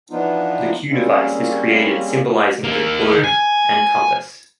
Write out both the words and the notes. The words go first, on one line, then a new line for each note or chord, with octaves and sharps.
The Q device is created, symbolising the globe and compass.
E3 F3 B3 D4 D#4 F4
G3 G#3 A#3 C4 C#4
D#3 A#3
G#5